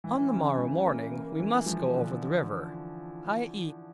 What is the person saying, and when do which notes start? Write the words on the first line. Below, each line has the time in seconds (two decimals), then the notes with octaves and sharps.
On the morrow morning we must go over the river, i.e.
0.04 E3
0.31 C#3
0.58 E3
0.86 A#3
1.13 A#3
1.39 E3
1.66 F3
1.94 D3